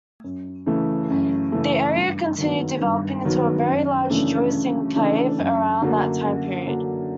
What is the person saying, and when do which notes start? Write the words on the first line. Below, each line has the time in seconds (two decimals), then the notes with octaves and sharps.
The area continued developing into a very large Jewish enclave around that time period.
0.24 F#2
0.66 C#3 E3 A3
1.10 F#2
1.52 C#3 E3 A3
1.96 G2
2.38 D#3 F#3 B3
2.81 G2
3.25 D#3 F#3 B3
3.68 F#2
4.10 C#3 E3 A3 D4
4.53 F#2
4.95 C#3 E3 A3 D4
5.39 F#2
5.82 D3 F#3 A#3 D4
6.24 F#2
6.67 D3 F#3 A#3 D4